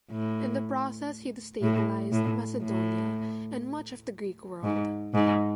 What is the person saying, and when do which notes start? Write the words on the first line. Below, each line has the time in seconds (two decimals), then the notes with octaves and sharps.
In the process he destabilized Macedonia and much of the Greek world.
0.11 A2
1.62 A2
2.12 A2
2.63 A2
4.63 G#2
5.14 G#2